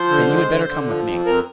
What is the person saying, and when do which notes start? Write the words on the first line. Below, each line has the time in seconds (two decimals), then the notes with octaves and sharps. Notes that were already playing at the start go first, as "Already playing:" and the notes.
"Then you had better come with me."
Already playing: F3 C5
0.09 D3
0.29 G#3
0.48 D3
0.68 D3
0.87 F3
1.07 F2
1.26 F2 A#4